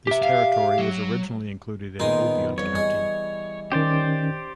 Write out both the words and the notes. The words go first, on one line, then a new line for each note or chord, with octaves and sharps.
This territory was originally included in Obion County.
G4 E5
F5
F#3
A#2 D#3 B3 D#4 G#4 C6
F2 E3 G3 C#5
G#4 D#5
D#3 C#4 G4 C5 D5